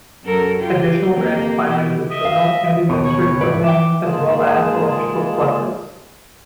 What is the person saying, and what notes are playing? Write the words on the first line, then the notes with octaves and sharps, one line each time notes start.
Additional grants financed the terminal and administrative building as well as electric floodlights.
F#2 A4 A#4
F4 G4
F2 A#3 G4
B2 E3 G4
D#5 E5
F5
D#2 B2 D#3
C#5
C2 G#2 B4 D5
E3 E5 G5 D6
G#2 G#3 A#3 F4 G#4 A5